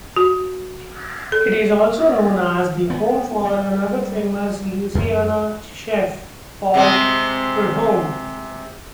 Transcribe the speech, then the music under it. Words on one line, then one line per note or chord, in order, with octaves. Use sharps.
It is also known as the home for another famous Louisiana chef, Paul Prudhomme.
F#4
A4
B3
G3
F#2
C3 G#3 C4